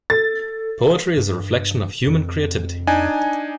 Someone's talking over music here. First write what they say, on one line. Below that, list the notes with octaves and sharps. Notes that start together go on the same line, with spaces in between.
Poetry is a reflection of human creativity.
A4 A6
G2
F2
D4 D#4 G#5